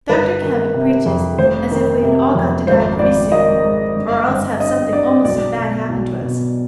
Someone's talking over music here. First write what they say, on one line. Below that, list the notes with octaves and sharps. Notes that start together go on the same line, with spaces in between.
Dr Cabot preaches as if we had all got to die pretty soon, or else have something almost as bad happen to us.
G1 B4
D#3
C3
F2
F1 C5
D#3
C3
F2
G#1 C5
G#1 D5
D#3 D#5
G#2
G1
G1
D3 D#5
G2 D5
B1 D5
B2
B1
B2